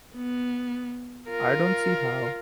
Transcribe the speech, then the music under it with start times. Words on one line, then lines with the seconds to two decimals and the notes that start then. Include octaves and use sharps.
I don't see how.
0.16 B3
1.30 F4 A#4